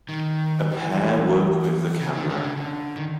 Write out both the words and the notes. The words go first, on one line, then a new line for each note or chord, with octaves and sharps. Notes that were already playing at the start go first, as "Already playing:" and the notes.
A pair work with the camera.
D#3
E3
C#3
D#3
D3
C#3
D3
D#3